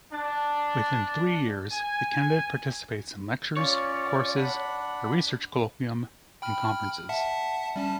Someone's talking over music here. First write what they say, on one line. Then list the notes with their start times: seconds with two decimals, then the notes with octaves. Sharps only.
Within three years, the candidate participates in lectures, courses, a research colloquium and conferences.
0.11 D4
1.72 G#5
3.57 C#4 F4 C#5 D5
4.36 D4 F#5 B5
6.42 G5 B5 F6
7.09 E5 F#5 A5
7.76 G3 C#4 A5